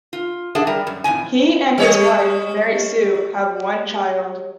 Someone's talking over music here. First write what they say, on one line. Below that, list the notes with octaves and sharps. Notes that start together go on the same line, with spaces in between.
He and his wife Mary Sue have one child.
F4
D4 G#4 A4 E5 F#5
G3 A#4
F#2
F2 A2 C3 G#5
G3 C#5 D#5